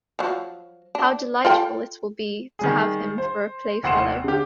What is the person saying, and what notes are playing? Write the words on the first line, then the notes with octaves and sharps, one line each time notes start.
How delightful it will be to have him for a playfellow!
F3 F#3
D4
F4 A4 G5
D#3 G3 G#4
C5
F1 D#2 F#5 C6 C7 E7
D3 G4